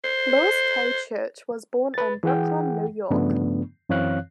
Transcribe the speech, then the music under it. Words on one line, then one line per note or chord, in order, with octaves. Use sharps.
Louis K. Church was born in Brooklyn, New York.
C5
B4 A6
E3 G#4 F#5 G5
G2 C#3 F3 A3 B3 D4
F#2 E3 C4 C#5 F5 F#6